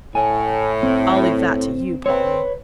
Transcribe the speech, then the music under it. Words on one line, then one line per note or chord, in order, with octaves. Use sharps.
"I'll leave that to you, Polly."
A2 G#5
C4
C4 B4 C#5